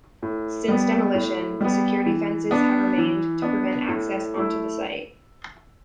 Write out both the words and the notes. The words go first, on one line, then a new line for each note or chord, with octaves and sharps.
Since demolition, the security fences have remained to prevent access onto the site.
A2
G3 B3
A2
G3 B3
E3
B3 D4
E3
B3 D4
A2
A3 E4